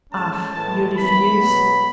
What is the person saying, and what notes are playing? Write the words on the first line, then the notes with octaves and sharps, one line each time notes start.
Ah, you refuse?
A2 G#3 C#4 A5
A2 E3 G#3 A5
F#2 E3 B3 B5
B2 F#3 B3